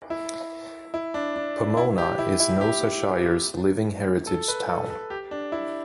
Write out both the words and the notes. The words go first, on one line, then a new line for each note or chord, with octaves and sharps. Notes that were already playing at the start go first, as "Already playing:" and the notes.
Pomona is Noosa Shire's 'living heritage town'.
E4
E4
D4
D4
E4
G4
E4
E4
G4
A4
B4
A4
A4
G4
D4
E4